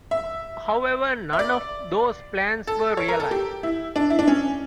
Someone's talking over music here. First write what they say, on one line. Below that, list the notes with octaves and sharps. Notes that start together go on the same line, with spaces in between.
However none of those plans were realized.
E5
E5
D5
A4
C#5
A#4
A4
G4
E4
D4
E4
D4
C#4